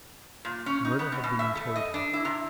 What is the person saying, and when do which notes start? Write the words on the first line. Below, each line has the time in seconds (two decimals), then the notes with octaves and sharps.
The murder had been in Tarrytown.
0.45 A#2
0.66 C#4
0.85 D#4
0.99 B3
1.12 B2
1.24 B2
1.39 E5
1.55 A3
1.76 D#5
1.94 D4
2.13 E4
2.25 C3